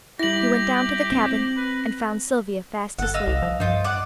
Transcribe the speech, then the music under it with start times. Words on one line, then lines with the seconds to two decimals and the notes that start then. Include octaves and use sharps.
He went down to the cabin, and found Sylvia fast asleep.
0.19 G3 E4 G4 A#6 F#7
1.12 C4
1.57 B4
2.99 G1 A4 F#5
3.14 D#5 F5 E6
3.27 C2
3.42 F3
3.60 G2 D#4 F4
3.84 D5 F#5